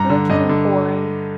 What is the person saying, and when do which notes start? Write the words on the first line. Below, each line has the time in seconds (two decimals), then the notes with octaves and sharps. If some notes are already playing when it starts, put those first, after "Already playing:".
You're getting boring.
Already playing: G2 A#5
0.10 D3
0.30 G2 D#5
0.49 D3